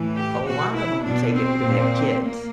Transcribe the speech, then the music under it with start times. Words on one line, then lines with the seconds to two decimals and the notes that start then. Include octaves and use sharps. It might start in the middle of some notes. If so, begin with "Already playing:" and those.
A lot of 'em take it because they have kids,
Already playing: A2 E3
0.16 G4
0.45 B2 F#4
0.75 E4
1.04 B2 D4
1.34 C4
1.63 A#2
2.22 A#3